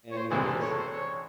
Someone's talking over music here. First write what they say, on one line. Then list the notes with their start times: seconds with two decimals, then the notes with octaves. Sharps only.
and he just
0.11 C#5
0.16 C5
0.30 C2 C3 E3 G#3 C5
0.46 A4
0.61 C#5
0.71 A4
0.76 C5
0.91 C#5